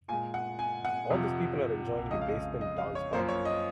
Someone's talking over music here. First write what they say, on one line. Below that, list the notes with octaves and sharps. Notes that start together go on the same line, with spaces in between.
All these people are enjoying a basement dance party.
A#2 G#3 G#5
F#5
G#5
F#5
F2 C3 F3
F2 C#3 G#3 D#5
F5
D#5
D#5
F5
C#5
F#2 F3 A#3 C5
C#5
D#5